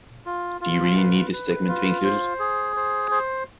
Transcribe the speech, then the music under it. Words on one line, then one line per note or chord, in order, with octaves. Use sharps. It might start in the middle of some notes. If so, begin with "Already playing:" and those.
Do you really need this segment to be included?
F4
F4
B4
B4
F4
C5
G#4
C5
C5